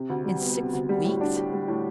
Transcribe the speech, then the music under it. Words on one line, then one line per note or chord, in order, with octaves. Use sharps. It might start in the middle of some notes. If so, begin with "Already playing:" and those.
"In six weeks?"
Already playing: C3
D2
G3
B3
C3
D2
G3
A2
D4
G4
G3
A2